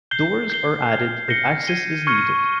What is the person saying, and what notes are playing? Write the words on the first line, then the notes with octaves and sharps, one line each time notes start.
Doors are added if access is needed.
G6 C7 G7
G6 C7 G7
F6 G#6 C7
G6 A#6 C#7 G7
G#6 D#7 G7
C#6 F6 G#6 C#7 G7